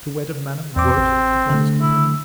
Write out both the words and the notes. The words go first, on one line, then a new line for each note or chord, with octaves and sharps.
"To wed a man of wood," replied his companion.
E2 C4 D6
A1
D3 A3
E4